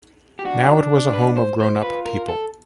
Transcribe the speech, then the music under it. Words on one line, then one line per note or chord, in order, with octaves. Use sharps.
Now it was a home of grown-up people.
G4
D4 F#4
B4
C5
C5
F4 B4
A#4
A4